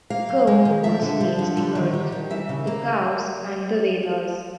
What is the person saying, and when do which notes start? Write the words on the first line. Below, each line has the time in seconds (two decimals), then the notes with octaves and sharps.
'Go' also means the earth, the cows and the Vedas.
0.10 A#3 F5
0.29 F#3
0.47 G#3
0.65 D#3
0.84 F3 E5
1.02 D3
1.20 F3
1.39 D3
1.57 G3
1.75 D#3
1.93 G3
2.12 D#3
2.30 E3 E5
2.49 C#3
2.67 A#3